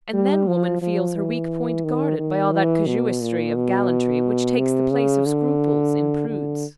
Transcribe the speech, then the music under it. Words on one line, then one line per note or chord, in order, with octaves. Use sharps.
And then woman feels her weak point guarded by all that casuistry of gallantry which takes the place of scruples in prudes.
G3
F3
F3
E3
D#3
D#3
E3
B2
A#2
B2
C3
C#3
D3
D3